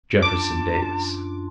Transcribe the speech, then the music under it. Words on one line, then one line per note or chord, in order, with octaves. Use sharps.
"Jefferson Davis".
F#2 D4 F4 A5 D6